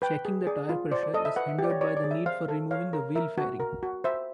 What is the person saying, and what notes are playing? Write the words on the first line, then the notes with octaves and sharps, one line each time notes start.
Checking the tire pressure is hindered by the need for removing the wheel fairing.
B4 G5
G#4
G#4 D5
F4
C5 D5
D5
A4 D#5
E5
B4 F#5
E5
G4
D5
C#5
C#5 D5
D5
G#4
E5
C5 F5
A4
C#5 F5
A#4
A#4 E5
F#4
A#4
F#4
C5 E5